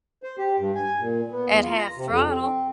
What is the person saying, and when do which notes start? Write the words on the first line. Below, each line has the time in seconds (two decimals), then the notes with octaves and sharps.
At half throttle.
0.23 C5
0.38 G4
0.59 G2
0.75 G#5
1.00 A#2
1.31 B3
1.47 E2
1.61 F4
1.77 A#5
1.97 C3
2.08 F2
2.30 C4